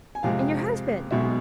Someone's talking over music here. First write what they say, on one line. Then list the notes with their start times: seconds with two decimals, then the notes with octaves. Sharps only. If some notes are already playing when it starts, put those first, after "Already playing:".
And your husband?
0.15 G#5
0.23 F2 C3 G#3 F5
1.11 B1 B2 G#3 E5